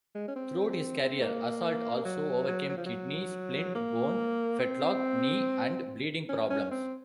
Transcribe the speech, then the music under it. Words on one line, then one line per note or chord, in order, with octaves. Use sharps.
Throughout his career, Assault also overcame kidney, splint bone, fetlock, knee and bleeding problems.
G#3
C#4
C4
A#3
F#3
F#3
F#3
F3
F#3
A#3
C4
C#4
C#4
C4